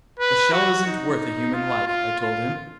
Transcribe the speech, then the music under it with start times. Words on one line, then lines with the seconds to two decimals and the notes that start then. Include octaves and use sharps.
"A shell isn't worth a human life!" I told him.
0.20 B4
0.52 F#4
0.87 D#4
1.54 F4
1.87 F4
2.20 F4